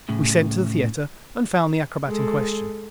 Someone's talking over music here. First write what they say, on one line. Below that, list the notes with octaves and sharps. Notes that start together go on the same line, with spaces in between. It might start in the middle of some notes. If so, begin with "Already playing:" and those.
We sent to the theater and found the acrobat in question.
A2 C#3
G#3 A4